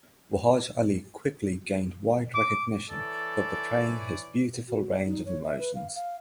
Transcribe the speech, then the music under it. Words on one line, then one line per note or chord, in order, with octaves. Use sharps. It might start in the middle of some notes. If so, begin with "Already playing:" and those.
Wahaj Ali quickly gained wide recognition for portraying his beautiful range of emotions.
D6
E3 A4 C#5 D5
F#4
D5
D#4
C#5
E5
B4
F5
F5